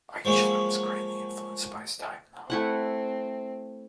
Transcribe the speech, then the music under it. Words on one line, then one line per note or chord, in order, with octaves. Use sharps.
Eichler was greatly influenced by his time in the home.
F3 F#3 G#3 A#3
A3 C4 E4 F#5